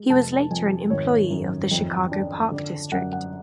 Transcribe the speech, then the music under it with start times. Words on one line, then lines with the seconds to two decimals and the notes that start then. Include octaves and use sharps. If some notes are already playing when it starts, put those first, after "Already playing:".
He was later an employee of the Chicago Park District.
Already playing: G#3
0.10 F1 A5
0.50 F2 G#5
0.90 G#1 C#5
1.30 F#2
1.71 F2
2.12 D4
2.51 D3 D5
2.92 F#2 F#5
3.13 F#5